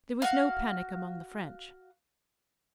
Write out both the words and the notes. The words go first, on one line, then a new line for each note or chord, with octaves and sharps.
There was no panic among the French.
F#4 F5